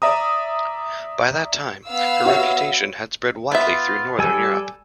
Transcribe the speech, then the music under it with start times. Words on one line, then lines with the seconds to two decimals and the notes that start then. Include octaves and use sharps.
By that time, her reputation had spread widely through Northern Europe.
0.02 D5 E5 A#5 D#6
1.88 B3 F5 E6
2.26 F#4 C#5 E5
3.52 B3 F4 E5
4.19 G3 A4 G#5 E6